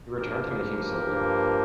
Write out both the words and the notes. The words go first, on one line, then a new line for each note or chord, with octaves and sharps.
He returned to making silver.
G2 F3 A#3 G4 A#4
G2 F3 A#3